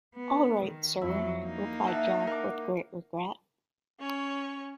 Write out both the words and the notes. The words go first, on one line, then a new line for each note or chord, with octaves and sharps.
All right, Sir, replied Jock with great regret.
B3
D#3
F2 F#3 E4
A#3 D#4
E5 F#5 A5
A#4 F#5 D6
C#4 C#5